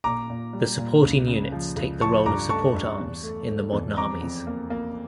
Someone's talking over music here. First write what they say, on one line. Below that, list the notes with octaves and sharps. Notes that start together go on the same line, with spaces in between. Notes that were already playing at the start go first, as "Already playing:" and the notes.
The supporting units take the role of support arms in the modern armies.
A#2 A#5 D6
A#2
G3
A#2
C#2
C#3
F3
C#2
F3 A5 C#6
G2 A#5 D6
A3 A5 C#6
G2
E2
A3
A3
E2
F2 A#5 D6
F2
A#3
A#3